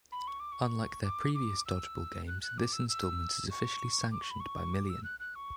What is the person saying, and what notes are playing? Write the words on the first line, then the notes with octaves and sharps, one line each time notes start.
Unlike their previous Dodgeball games, this installment is officially sanctioned by Million.
B5
C#6
D6
C#6
D6
D6
E6
F#6
F#6
D6
E6
E6
C#6
D6
C#6
B5
C#6
D6
E6
F#6
F#6
C#6